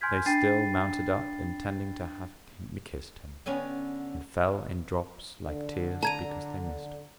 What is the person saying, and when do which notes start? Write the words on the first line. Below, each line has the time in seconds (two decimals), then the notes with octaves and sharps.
"They still mounted up intending to have kiss'd him. And fell in drops like tears because they missed him."
0.01 G#5 C6 F6 G6 G#6 B6
0.26 D4 G5 B5 A6 C7 D#7
3.46 D3 B3 C#4
5.45 D3
6.03 A5 A#5 G#6 D#7